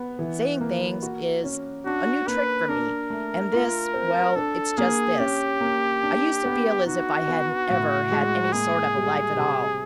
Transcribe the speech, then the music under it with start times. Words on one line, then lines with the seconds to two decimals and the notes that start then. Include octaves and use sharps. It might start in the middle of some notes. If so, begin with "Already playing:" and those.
Saying things is a new trick for me, and this--well, it's just this: I used to feel as if I hadn't ever had any sort of a life at all.
Already playing: B3
0.19 E3
0.61 A#3
1.03 F#4
1.44 C#4
1.86 D4 F#4
2.28 A#3 B4
2.69 D4 A#4
3.10 A3
3.53 F4
3.94 C4
4.36 D4 A4
4.78 A#3 G#4
5.19 C#4 G4
5.61 A#3
6.03 D4
6.45 B3
6.86 D#4 F#4
7.28 B3
7.70 A2
8.11 G#3
8.53 A#3 G#4
8.95 G3
9.36 C3